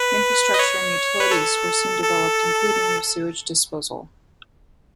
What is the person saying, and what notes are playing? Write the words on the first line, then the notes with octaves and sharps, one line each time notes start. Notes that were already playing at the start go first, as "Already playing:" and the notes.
Infrastructure and utilities were soon developed including new sewage disposal.
Already playing: B4
D#5
C#5
B4
A4
A4